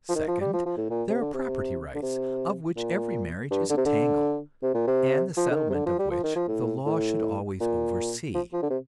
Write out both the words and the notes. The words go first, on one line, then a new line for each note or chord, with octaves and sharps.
Second, there are property rights, of which every marriage is a tangle, and the settlement of which the law should always oversee.
F3
D#3
F3
G3
F3
F3
A2
A#2
C3
D3
C3
D3
C3
A#2
G2
D3
C3
D3
C3
A#2
C3
F3
D3
D#3
C3
D3
F3
G3
F3
D#3
F3
A2
A2
A#2
F3
F3
D3
C3